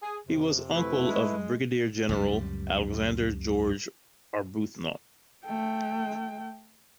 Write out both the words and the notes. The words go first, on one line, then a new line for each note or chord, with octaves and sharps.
He was uncle of Brigadier-general Alexander George Arbuthnot.
G#4
F2 C3
A3 E4 B4
G#3
C#2 F#2 G3
A3 G5